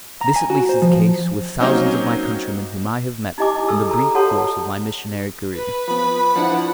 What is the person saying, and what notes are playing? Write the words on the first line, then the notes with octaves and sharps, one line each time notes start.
This, at least, is the case with thousands of my countrymen whom I have met in the brief course of my missionary career.
A#5
G#5
F#4
C5
F3
F#3 A#3 C4 C#4 D#4
D#4 E4 G4 D#5 G#5 D6
E4 G#4 A4 E6
A4 A#5 E6
F#4 G4 A4 C#5 F#5 A5
B4
F3 B3 B5
F3 D4 E4 F#5